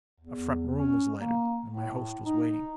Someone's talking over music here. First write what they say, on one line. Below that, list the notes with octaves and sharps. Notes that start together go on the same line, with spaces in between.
A front room was lighted; my host was waiting.
E2
C#4
A#3
A2
D#4